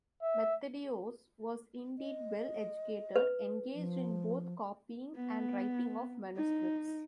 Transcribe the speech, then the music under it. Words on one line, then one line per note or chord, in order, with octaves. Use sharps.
Methodios was indeed well-educated; engaged in both copying and writing of manuscripts.
E5
D#5
B4
F3
B3
D#4